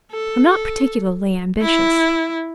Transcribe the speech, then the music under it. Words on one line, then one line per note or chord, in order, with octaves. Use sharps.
I'm not particularly ambitious.
A4
A4
E4